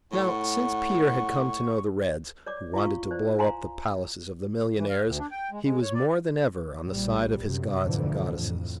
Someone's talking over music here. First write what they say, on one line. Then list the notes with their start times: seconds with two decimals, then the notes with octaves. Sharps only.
Now since Peter had come to know the Reds, who wanted to blow up the palaces of the millionaires, he was more than ever on the side of his gods and goddesses.
0.12 A2 F#5 C#6
2.46 C#5 D5 D6
2.74 E4 F4 F5 C#6
3.11 C5 D5
3.38 F5 G#5 A#5 C6
4.77 E3
4.90 F5
5.05 D2
5.19 D4
5.31 G5
5.51 G#3
5.64 G#3
5.82 C#5
5.94 D5
6.87 A#1 G3
7.44 F#2 C3
7.82 D2 G#2 B2 D3 E3 F3
8.32 F2 A2